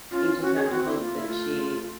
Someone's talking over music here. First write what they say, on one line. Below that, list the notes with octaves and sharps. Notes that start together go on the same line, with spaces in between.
you just have to hope that she,
C#4 F4
C#4 F#4
G#4
C4 F#4
E4
A#3 F4
E4
A3 F4